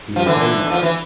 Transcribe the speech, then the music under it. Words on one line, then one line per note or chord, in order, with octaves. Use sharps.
He is unmarried.
F3
D3 E3
F3
E3